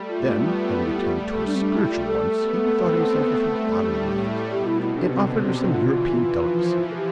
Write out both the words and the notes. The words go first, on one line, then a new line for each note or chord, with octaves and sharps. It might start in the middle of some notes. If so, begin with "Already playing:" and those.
Then having attended to her spiritual wants, he bethought himself of her bodily needs, and offered her some European delicacies.
Already playing: G3 A3
F4
B3
A3
G3 E4
F4
A3
A4
G3 D4
C4
D4
E4
F4
A3 A4
B3
C4
B3
A3
G3
A2
B2 G4
E4
C3 E4
D4
D3 C4
B3
D3 C4
C4
E3 F4
F3
E3
A4
G4